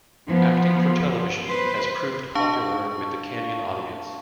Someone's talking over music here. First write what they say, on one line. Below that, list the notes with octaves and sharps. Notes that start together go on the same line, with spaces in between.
Acting for television has proved popular with the Kenyan audience.
F3 B3
B4 C5
D4 F5 A5 C#6